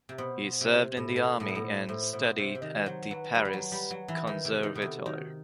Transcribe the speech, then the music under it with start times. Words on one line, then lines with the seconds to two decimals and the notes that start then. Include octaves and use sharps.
He served in the army and studied at the Paris Conservatoire.
0.09 C3
0.18 B2 C5
0.61 C3
0.97 A2
1.15 B2 A4
1.40 A2 A4
1.48 B2
1.55 A2
1.64 C5
1.89 A2 C5
2.13 B2 C5
2.38 C3 C5
2.55 C3
2.61 D#3 D#5
2.86 F#3 C5
3.11 F#3 B4
3.35 G3
3.45 G3
3.53 F#3
3.72 G3
3.91 F#3
4.08 E3
4.27 D#3
4.45 C3
4.63 D#3
4.75 B2
4.82 C3 A4
5.06 D#3 F#4